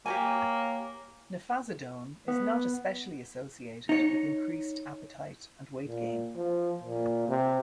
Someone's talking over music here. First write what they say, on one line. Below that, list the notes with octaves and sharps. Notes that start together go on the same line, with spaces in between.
Nefazodone is not especially associated with increased appetite and weight gain.
A#3 G4 C#5 G#5
B3
D#4 C#5
A#2
F3
A#2
C3